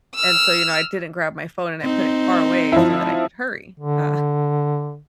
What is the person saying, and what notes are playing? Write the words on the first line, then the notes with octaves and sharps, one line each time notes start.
and so, you know, I didn't grab my phone, and I put it far away so that I could hurry, uh,
E6 F6
C4 D#4
F3 E4
D3